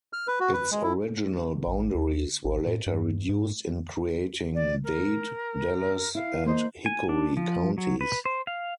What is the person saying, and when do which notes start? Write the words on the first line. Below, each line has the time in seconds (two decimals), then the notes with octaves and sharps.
Its original boundaries were later reduced in creating Dade, Dallas, and Hickory counties.
0.13 F6
0.28 B4
0.40 F#4
0.53 B4
0.72 G#3
0.83 E4
1.67 A1
1.95 D#2
2.45 A1
2.66 A2
2.87 G2
3.29 G#2
4.54 D5
4.84 A#4
6.15 E4 F5
6.46 A#3 C5 D#5
6.86 G#5
7.09 D4
7.37 F3
7.78 F#3
8.01 B4
8.25 C5
8.47 F5